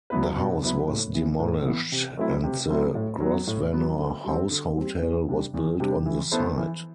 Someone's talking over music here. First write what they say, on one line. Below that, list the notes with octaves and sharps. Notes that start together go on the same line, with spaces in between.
The house was demolished and the Grosvenor House Hotel was built on the site.
F#3 B3 E4 B4
B2
F#3 B3 E4 B4
A2
E3 B3
A2
E3 B3
C3
F#3 A3 C4 E4
C3
F#3 A3 C4 E4
A2
F#3 B3
A2
F#3 B3
D3
G3 C4
D3
G3 C4
E2
C3 G3 D4
E2
C3 G3 D4
E3
B3 E4 A4 C5
E3